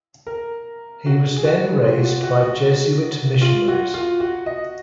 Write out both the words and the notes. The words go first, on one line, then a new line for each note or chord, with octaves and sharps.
He was then raised by Jesuit missionaries.
A#4
F#4
G#4
F#4
F4
F#4
F#4
F#4
F4
F#4
F4
F#4
D#5